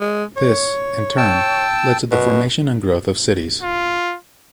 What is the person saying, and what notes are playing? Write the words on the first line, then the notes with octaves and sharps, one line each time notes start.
This, in turn, led to the formation and growth of cities.
G#3
C#5
G5 A5 E6
F#2 B2
F4